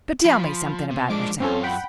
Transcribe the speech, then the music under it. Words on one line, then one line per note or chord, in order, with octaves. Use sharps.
"But tell me something about yourselves."
F3 B5 C6
C3
F3 G#3 D4 D6 D7
F#2 C4 C#4 F4 A4
F#5 G5 B5